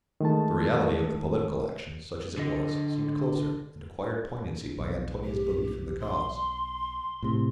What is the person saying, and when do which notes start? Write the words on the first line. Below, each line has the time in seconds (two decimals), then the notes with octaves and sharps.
The reality of the political action, such as it was, seemed closer, and acquired poignancy by Antonia's belief in the cause.
0.21 D#3 G#3 A3 A5
2.37 D3 D#5
4.78 B1
5.24 G4
6.02 C6
7.23 A2 C3